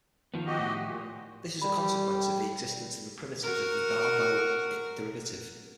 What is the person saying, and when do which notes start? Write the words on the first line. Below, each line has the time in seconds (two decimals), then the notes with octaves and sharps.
This is a consequence of the existence of primitives of the Darboux derivative.
0.34 D#3 F3 B3
0.46 F#4 G4 D#5
0.59 A2
0.82 A#2
1.62 G3 B5
3.43 F#4 A#4